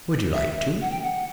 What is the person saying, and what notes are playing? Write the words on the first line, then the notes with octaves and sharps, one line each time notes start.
"Would you like to?"
E5
F#5
G5
F#5